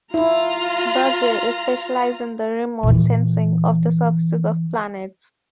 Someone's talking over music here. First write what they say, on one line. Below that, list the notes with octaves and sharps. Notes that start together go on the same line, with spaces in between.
Bussey is specialized in the remote sensing of the surfaces of planets.
E4 F4 A#5
A#2 E3